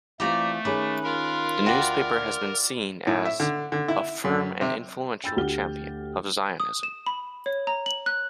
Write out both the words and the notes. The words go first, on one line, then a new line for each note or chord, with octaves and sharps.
The newspaper has been seen as "a firm and influential champion of Zionism".
E3 A3 C4 F4 G4 D5 A#5
D#3 C#4 G#4 B4 D6
F4 A#4 B5
D2 F#4 D5 G5
A2
E5
D3
D3
E4
F#2
C3
G5 B5 E6 G6 A6
D2 G4 F#5 F6 G7
D#6
E7
B5
C#5
A#5
F#7
F#6